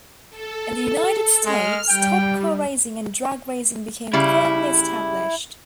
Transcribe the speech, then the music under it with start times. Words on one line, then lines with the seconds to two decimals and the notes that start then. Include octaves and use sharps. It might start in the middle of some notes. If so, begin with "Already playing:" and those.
In the United States, stock car racing and drag racing became firmly established.
0.30 A4
1.45 G#3 F6
1.89 G3 G5
4.13 C#3 G3 E4